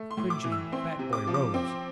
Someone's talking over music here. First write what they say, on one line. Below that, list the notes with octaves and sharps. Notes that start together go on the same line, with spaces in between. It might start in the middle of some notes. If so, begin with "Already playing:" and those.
The cringing fat boy rose.
Already playing: A3
C6
A2
D6
E3
E6
C4 C6
C3
D6
F3
D6
C4